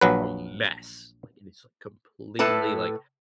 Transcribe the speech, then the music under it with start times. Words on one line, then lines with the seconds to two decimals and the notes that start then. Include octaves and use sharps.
a mess, like, it is completely, like,
0.01 A#1 F#3 B4
2.39 A2 A4 B4 A5